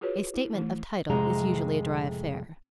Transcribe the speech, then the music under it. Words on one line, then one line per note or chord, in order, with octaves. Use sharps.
A 'statement of title' is usually a dry affair.
F4 F#4 G#4 B4 C#5
E4
E3 A3
F2 A2 C3 G#3 A#5